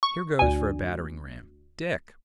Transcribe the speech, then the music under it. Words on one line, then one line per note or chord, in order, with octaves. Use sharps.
Here goes for a battering-ram, Dick!'
C#6
D2 G#5